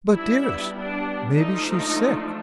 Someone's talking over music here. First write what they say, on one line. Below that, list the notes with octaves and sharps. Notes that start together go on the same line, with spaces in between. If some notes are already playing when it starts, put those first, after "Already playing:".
"But, dearest, maybe she's sick."
G3 B3 D4 E4
D4
F3 A3 D4 D#4
D#4